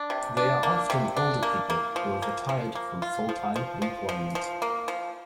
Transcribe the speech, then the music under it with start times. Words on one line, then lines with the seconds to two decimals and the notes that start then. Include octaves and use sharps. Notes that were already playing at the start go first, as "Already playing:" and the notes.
They are often older people who have retired from full-time employment.
Already playing: D4
0.10 C3
0.37 D4
0.63 A#3
0.90 C3
1.17 D4
1.43 A#3
1.70 A#3
1.96 F3
2.22 A#3
2.49 F3
2.75 A#3
3.02 F4
3.29 F3
3.56 F3
3.82 F3
4.09 F3
4.35 F3
4.62 A#3
4.88 F3